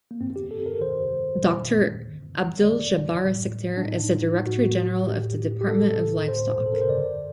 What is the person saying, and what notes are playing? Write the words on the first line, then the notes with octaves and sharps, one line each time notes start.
Doctor Abdul Jabbar Sikder is the Director General of the Department of Livestock.
A#3
G2 D#3 C4
G4
A4
A#4
G2 D#3 C5
F#2 D#3
F#2 D#3
F#2 D#3 D5
A2
D4
A2 D#4
A2 F#4
A2 G4
G4
A2 A4
A2 C5
A4
A#4
C5
G2 D3 D5